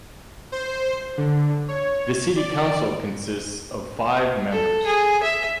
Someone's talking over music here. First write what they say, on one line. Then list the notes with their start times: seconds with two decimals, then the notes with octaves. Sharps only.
The city council consists of five members.
0.52 C5
1.18 D3
1.68 C#5
2.36 D5
4.51 A4
4.86 G#4
5.23 E5